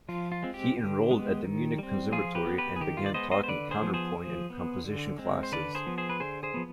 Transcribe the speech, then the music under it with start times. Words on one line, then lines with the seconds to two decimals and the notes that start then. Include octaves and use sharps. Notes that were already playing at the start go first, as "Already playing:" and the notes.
He enrolled at the Munich conservatory and began taking counterpoint and composition classes.
0.09 F3 F4
0.32 F4
0.42 G#3 C4
0.54 G4
0.77 D3
1.11 G#3 B3
1.45 D#3
1.78 G3 C4
2.12 F3 F4 G#4
2.35 G4 B4
2.46 B3
2.58 G4 B4
2.76 G#4
2.81 D#3 G4
2.97 F4
3.06 D5
3.14 G#3 B3 C5 D#5
3.31 C5 D#5
3.43 C5
3.48 D3 B4 D5
3.71 G#4 C5
3.82 F3 B3
3.94 G#4 C5
4.17 F3
4.50 B3
4.84 D3
5.18 G#3 C4
5.43 C5
5.52 D3 B4 D5
5.75 G#4 C5
5.86 F3 B3
5.98 G#4 C5
6.10 B4
6.20 D3 G#4 C5
6.43 G#4 C5
6.54 F3 B3